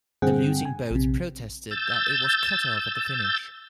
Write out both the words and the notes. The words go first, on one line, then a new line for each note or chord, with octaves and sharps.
The losing boat protested that it was cut off at the finish.
G2 D3 C4 G#4 F#5 G5
G#5
A#1 C3
E6 G6 A6